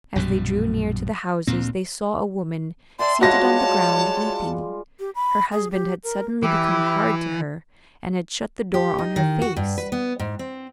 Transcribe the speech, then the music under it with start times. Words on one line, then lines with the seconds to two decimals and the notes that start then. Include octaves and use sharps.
As they drew near to the houses they saw a woman seated on the ground, weeping; her husband had suddenly become hard to her and had shut the door on her face.
0.16 A#1 F#2 B2 G3
1.47 D2 A#2 C4
2.99 D5 E5 G5 A5 C6
3.21 G3 G#3 F4 F#4 C#5 A5 A#6
5.00 G4
5.15 B5
5.52 G#4
5.71 G4
6.04 A#4
6.43 E3 E4 G4
8.74 G4
8.98 D#4
9.16 D#3
9.42 F#4
9.56 G2
9.78 B4
9.92 B3
10.20 G#2
10.39 C4